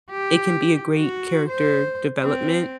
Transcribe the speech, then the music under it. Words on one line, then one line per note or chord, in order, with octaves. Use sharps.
it can be a great character development
G4
F#4
C5
C4